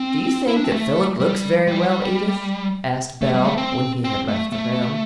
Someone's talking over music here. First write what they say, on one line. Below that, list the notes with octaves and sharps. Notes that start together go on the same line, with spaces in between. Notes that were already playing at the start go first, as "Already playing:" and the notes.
"Do you think that Philip looks very well, Edith," asked Belle when he had left the room.
Already playing: C4
E4
D4
C4
A3
G3
G3
A3
G3
A3
C4
C4
A3
A3